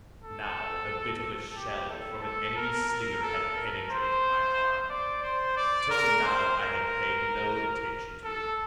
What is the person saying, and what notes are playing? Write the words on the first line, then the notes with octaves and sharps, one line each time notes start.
Now, a bit of a shell, from an enemy slinger, had penetrated my arm. Till now, I had paid no attention to it.
A4
G4
A4
A4
A#4
A#4
A4
A#4
C5
D5
C5
D5
A#4
C5
A#4
A4